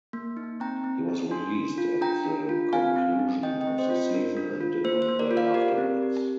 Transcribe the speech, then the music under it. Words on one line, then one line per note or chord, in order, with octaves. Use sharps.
He was released at the conclusion of the season and did not play afterwards.
A#3
D#4
C4 G5 A#5
C4
D#4
D4 G#5 C6
D4
F4
D4 G5 A#5
D4
F4
C4 F5 G#5
C4
D#4
C4 D#5 G5
D#5 G5
C4
C5 D#5
F4
C5
D4 A#4
D4
F4
A#3 C5
C5
A#3
A#4 D5
F4
D5 F5
G4 A#4 D5
C4
G4